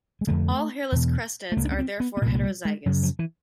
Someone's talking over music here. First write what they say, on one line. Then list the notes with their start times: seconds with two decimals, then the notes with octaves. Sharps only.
All hairless Cresteds are therefore heterozygous.
0.21 G#3
0.27 F2 D3 A3
0.92 E2 B2
1.52 A3
1.56 C#2 C#3 A#3
1.65 D4
1.72 C#4
1.79 C4
2.00 B3
2.17 B3
2.22 A#2 A#3
2.26 C2
2.35 G#3
2.44 G3
2.65 G#3
2.86 F#2 C#3 F#3
3.03 F3
3.19 E3